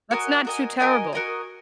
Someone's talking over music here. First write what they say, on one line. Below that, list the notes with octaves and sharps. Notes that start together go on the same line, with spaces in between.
That's not too terrible.
F#4 A#4 D#5 G#5
F#4 A#4 D#5 G#5
F#4 A#4 D#5 G#5
F#4 A#4 D#5 G#5